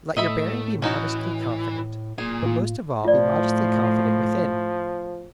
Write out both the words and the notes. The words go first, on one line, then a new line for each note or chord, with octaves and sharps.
Let your bearing be modestly confident, but most of all be modestly confident within.
A2 A3 D#5 E5 B5
E3 C#4 D#4 F#4
D1 A#2 G#4
A2 F4
A2 F3 F4 D5